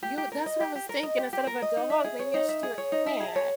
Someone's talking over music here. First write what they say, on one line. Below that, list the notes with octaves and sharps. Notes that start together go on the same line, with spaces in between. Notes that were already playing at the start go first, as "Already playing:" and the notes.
You that's what I was thinking, instead of a dog, maybe I should do a cat.
G4
G4
A#4
D#5
G4
G4
A#4
D#5
G4
G4
A#4
D#5
D#4
E5
G#4
C#5
D#4
E5
G#4
C#5
D#4
E5
G#4
C#5